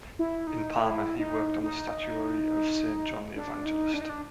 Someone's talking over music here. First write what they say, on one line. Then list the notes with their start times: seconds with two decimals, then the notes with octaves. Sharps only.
In Parma he worked on the statuary of Saint John the Evangelist.
0.19 E4
0.47 D#4
0.76 E4
1.19 D#4
1.63 D#4
3.37 D4
3.65 D#4
3.94 D4
4.02 D#4
4.09 D4